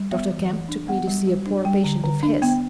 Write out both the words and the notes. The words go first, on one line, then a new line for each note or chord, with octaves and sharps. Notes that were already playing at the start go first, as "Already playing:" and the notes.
"Dr. Kemp took me to see a poor patient of his."
Already playing: G3
B3 E5
E3
E3
D4
B3 F#5
G3
G3
D4
G3 G5
D3
D3
D4
B3 G5